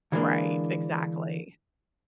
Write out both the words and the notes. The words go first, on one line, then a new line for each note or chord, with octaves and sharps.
Right, exactly.
D3 E3 G3 G#3 A#3 D4